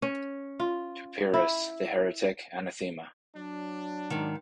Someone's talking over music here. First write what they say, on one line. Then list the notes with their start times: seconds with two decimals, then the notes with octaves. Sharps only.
To Pyrrhus, the heretic, anathema!
0.02 C#4
0.60 F4
1.34 E4
3.37 F#3 D4
4.10 G#2 D#3